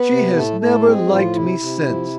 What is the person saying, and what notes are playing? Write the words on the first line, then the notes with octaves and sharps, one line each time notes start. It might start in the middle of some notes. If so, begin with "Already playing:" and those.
She has never liked me since.
Already playing: B3 B4
C3
A2 A3 A4
A2 A3 A4
G#3 C4 G#4
A2 F3 F4
C3 E4
C3
F3